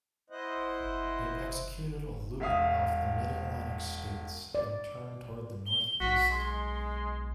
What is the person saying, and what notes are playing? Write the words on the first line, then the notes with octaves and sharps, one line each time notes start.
It executed a loop off the Mid-Atlantic states and turned toward the northeast.
E4 C5 D#5 F#5
E1 E5 F5 D#6
D5
G7
B1 F#4 B6
G#3 C6
C6